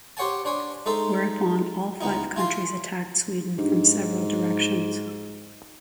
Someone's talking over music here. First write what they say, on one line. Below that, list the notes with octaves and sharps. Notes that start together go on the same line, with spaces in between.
Whereupon all five countries attacked Sweden from several directions.
G4 C5 C#5 F#5 G#5 A5
D4 C5 C#5 G#5
G#3 D#4 A4 C5 E5
C#2 B3 D#4 E4
E4 F4 G#5 A5 C6
G#2 D4 D#4 G4